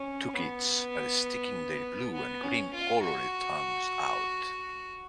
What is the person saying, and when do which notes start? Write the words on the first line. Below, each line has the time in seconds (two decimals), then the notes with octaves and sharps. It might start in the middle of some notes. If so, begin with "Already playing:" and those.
Two kids are sticking their blue and green colored tongues out.
Already playing: C#4
0.34 B3
2.14 B3
2.43 C#4
2.74 F4
3.03 F#4